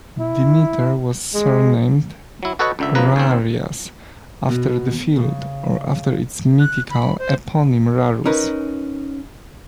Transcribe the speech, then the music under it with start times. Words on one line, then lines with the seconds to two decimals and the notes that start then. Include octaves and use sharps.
Demeter was surnamed "Rharias" after the field, or after its mythical eponym Rarus.
0.20 E4
1.35 G#3
2.43 F#3 E4
2.59 F#4 A4 B4 C#5 D#5 F#5
2.79 C#2 D3 E5
2.95 C#3 F3 B4 A#5
3.16 D#2 C4
4.49 B2
5.17 C#3
6.59 F#6
6.90 B5
7.19 C5
8.26 C#4 D#4 A#4 B4